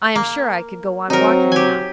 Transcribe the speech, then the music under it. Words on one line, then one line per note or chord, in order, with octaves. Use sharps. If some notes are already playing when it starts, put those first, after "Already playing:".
I am sure I could go on walking now.
A#3
F#3 C4 D#4 A#4
G4 G#5